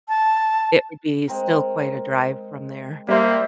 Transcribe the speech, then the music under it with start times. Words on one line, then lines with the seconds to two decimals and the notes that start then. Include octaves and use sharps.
it would be still quite a drive from there.
0.08 A5
1.28 G#3 C4 A#4
3.08 G3 A#3 C5 E5